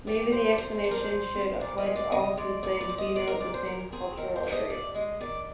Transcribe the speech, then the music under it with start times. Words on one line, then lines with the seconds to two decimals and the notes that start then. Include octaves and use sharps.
Maybe the explanation should apply to all since they denote the same cultural area.
0.07 G3 D5
0.31 C3 C5
0.53 D5
0.57 C3 C5
0.84 D4 C5
0.91 A#4
0.97 C5
1.09 F3
1.35 C4
1.60 A#2 D5
1.78 D#5
1.86 G#3
1.95 D5
2.11 C3 D#5
2.37 G#3 D5
2.63 D2 D5
2.81 D5
2.89 F3
2.98 D#5
3.15 G#3 D5
3.27 A#4
3.40 A#2 D5
3.54 C5
3.66 A#2 A#4
3.92 C4 G#4
4.17 D#3 A#4
4.36 C5
4.43 D4
4.52 D#5
4.70 D#2 D5
4.95 G#3 D#5
5.21 D#3 D5